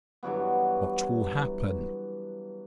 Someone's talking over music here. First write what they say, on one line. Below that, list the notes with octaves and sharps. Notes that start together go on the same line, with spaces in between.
What will happen?
G2 E3 F#3 B3